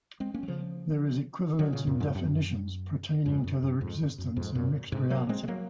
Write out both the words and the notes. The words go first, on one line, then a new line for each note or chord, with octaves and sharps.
There is equivalence in definitions pertaining to their existence in mixed reality.
G#3 C4
A#3 C#4
F#3
C#3 F3
D#3 F#3
A#2 C#3
F#2 A#2
F2 G#2
F#2
F2 G#2
F#2
F#2
F2 G#2
F#2
F2 G#2
F#2 A#2
G#2 C3
F#3 A#3
G#3 C4
G#3
F#3 A#3